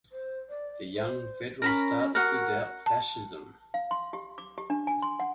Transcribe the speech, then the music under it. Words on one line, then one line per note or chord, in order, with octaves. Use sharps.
The young federal starts to doubt fascism.
C5
D5
C5
C#4 A#4 A#5 B5
F#4 A#4 F#5
A5
F5
C6
G4
D6
G4
D4
G#5
C6
F#5